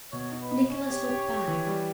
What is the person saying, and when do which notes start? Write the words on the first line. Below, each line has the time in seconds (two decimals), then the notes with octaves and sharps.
Nicholas looked back.
0.13 B2 C#5
0.31 D#4
0.42 B4
0.51 D#4
0.70 C#4 C#5
0.90 G4
1.09 G4
1.28 G4
1.48 E3
1.67 G3